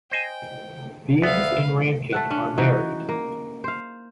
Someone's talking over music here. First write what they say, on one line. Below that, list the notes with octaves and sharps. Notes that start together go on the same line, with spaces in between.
Vimes and Ramkin are married.
C5 D#5 G5 G#5
D2 B3 B4 E5 F5
A3 A4 F#5
C#4 D4
E3 D#4 F#4 G#4
A#3
C5 F5